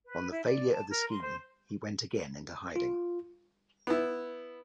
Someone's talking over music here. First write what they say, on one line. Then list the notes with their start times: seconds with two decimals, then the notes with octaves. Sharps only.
On the failure of the scheme he went again into hiding.
0.05 B4
0.31 E4
0.45 D5
0.73 A5
0.90 A#4
1.08 C6
1.23 C5
2.76 F4
3.87 B3 E4